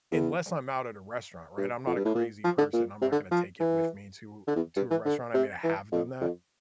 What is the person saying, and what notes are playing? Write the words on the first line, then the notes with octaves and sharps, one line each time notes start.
unless I'm out at a restaurant, right, I'm not a crazy person, I'm not gonna take it with me to to a restaurant. I mean, I have done that.
E2
G2
F2
G2
A2
A#2
F3
D3
A#2
C3
D3
F3
E3
D3
E2
G2
E3
D3
C3
E3
F2
F2